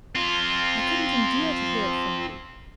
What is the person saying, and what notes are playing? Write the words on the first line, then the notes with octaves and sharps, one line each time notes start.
I couldn't endure to hear it from you.
C4 F4